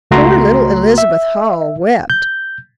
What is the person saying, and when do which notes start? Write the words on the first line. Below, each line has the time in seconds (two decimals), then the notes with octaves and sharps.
Poor little Elizabeth Hull wept.
0.11 C#2 A3 F#4 A#5 C6
0.98 E5
2.10 G6